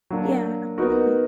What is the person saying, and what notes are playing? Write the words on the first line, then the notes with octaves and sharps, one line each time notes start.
Yeah, absolutely.
F#3 A#3 D4
B3 D#4 F#4 A#4